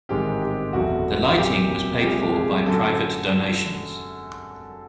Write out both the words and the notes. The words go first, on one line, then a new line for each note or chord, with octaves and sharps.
The lighting was paid for by private donations.
A1 G#2 D#3 G#3 C4 G4
G4
F#1 E2 B2 F#3 A3 F#4
C2 A#2 F#3 G4
C2 A#2 F3 G#3 C4 G4
G#4
F#2 D3 F#3 A4